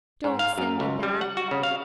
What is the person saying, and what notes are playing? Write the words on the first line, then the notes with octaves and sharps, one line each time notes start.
Don't send me back!
G#2
F5
F#2
C#2
G3
F#5
F#4
C#3
F5